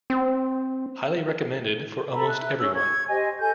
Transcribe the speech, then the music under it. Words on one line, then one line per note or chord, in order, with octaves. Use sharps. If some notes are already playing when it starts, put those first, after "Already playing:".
Highly recommended for almost everyone.
C4
A4 A#5 B5
E5 F#6
C#4 E6
C#6 G#6
G4 C5 D#5 G#5
A4 G#5 G6